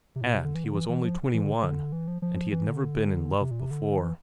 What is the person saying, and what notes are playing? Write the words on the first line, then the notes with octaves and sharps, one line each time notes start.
And he was only twenty-one, and he had never been in love before.
C3
A2
A#2
C3
D3
E3
D3
E3
E3
F3
E3
D3
D3
E3
F3
F3
E3
D3
C3
A#2
C3
D3
E3